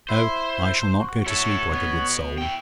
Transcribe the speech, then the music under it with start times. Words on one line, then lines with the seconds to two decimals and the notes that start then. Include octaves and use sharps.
No; I shall not go to sleep like a good soul.
0.09 E4 C5 E5
0.99 F#4
1.26 E4 F#4 A4 C#5
1.71 B2 B3
2.38 E4 G5